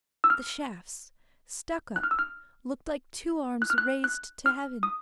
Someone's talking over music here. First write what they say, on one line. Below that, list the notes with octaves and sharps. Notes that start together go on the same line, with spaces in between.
The shafts, stuck up, looked like two arms raised to heaven.
E6
F6
F#6
F6
E6
F6
F#6
F6
F#6
F#6
F6
D#6